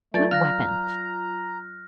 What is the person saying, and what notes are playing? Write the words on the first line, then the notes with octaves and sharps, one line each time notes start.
"What weapons?"
F#3 A3 F4 D5 A6
F5 A#5 F6 F#6 A#6